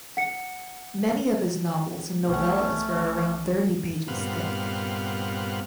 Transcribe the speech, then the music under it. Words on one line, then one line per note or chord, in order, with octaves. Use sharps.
Many of his novels and novellas were around thirty pages thick.
F#5 C#7
B1 A3 C#4 F#5
G2 A#2 B3 C4 F5 F#5